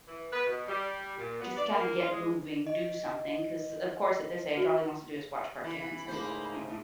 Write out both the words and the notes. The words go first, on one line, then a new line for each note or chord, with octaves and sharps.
just kinda get moving, do something, 'cause of course at this age all he wants to do is watch cartoons and, mm-mm.
E3
B4
B2
G3
A#2
B3
D5
A#3
F4
G#3
D#5
F#4
E3 B5
G#2 C#3 A3 A#3 C5